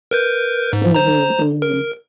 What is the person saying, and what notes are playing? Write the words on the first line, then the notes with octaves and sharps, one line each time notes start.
Mhm, mhm.
A#4 B4 G6
G#2
C5 A#5
A#4